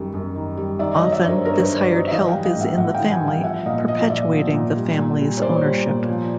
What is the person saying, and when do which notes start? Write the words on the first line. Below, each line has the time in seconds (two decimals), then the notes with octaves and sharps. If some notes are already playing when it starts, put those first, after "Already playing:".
Often, this hired help is in the family, perpetuating the family's ownership.
Already playing: F#2 D#3 G3
0.14 F#2
0.35 D#3
0.57 G3
0.79 D#3 D5 E5
0.96 C#5 D#5
1.01 F#3
1.12 D5 E5
1.24 G2 C#5
1.29 A#4 C5
1.45 G2 A#4 C5
1.62 B4 C#5
1.68 D#3
1.78 C5 D5
1.90 F#3
1.95 C#5 D#5
2.08 E5
2.12 E3 D#5 F5
2.28 F5 G5
2.34 G3
2.45 D#5 F5
2.55 A2
2.61 E5 F#5
2.77 A2 E5 F#5
2.94 F5 G5
3.00 E3
3.11 F#5 G#5
3.22 G3
3.27 F5 G5
3.43 F3 E5 F#5
3.66 A#2 D#5 F5
3.88 F3 D#5 F5
4.10 A#2 D5 E5
4.32 F3
4.54 A#2
4.76 G3
4.98 A#2
5.20 G3
5.38 C#5
5.42 A#2 C5 D5
5.64 G3
5.86 A#2
6.09 F3